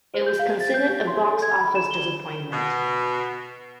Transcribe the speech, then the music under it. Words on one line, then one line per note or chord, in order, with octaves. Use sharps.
It was considered a box office disappointment.
C5
G6
F5
A6
G6
G4
C6
A4
G#6
B5
E7
G7
B2